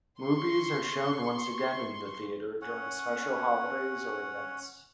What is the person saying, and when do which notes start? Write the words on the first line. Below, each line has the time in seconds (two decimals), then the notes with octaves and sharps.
Movies are shown once again in the theatre during special holidays or events.
0.21 C6 C#6
2.62 C#4 C#5 F#5